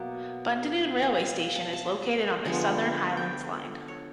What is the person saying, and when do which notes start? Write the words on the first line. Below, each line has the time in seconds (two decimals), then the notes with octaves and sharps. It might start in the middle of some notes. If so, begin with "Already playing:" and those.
Bundanoon railway station is located on the Southern Highlands line.
Already playing: B2 F#3 A#3 E5
1.02 F5
1.20 F5
1.56 A5
1.73 A5
2.45 D3 F3 G#3 B3 G#5
3.17 G5
3.88 C#5